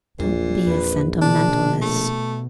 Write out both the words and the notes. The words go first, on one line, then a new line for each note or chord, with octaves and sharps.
Don't be a sentimentalist.
A#1 E2 A#2 F#3
E2 C4 B4
B2 D3 B3 D4
A3